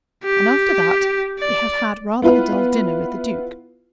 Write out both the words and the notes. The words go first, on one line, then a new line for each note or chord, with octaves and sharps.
And after that he had had rather a dull dinner with the duke.
G4
D5
B3 E4 F4 B4